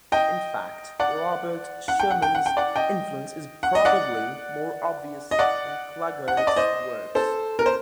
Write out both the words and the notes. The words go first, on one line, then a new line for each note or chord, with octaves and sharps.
In fact, Robert Schumann's influence is probably more obvious in Klughardt's works.
D#5 G5
D5 F#5
F#5
G5
F#5
G5
F#5
G5
D5 F#5
D#5 G5
F#5
D#5
D5 F#5
D#5
D5 F#5
F#5
D#5
D5
C5 D#5
A4 C5
A#4
C5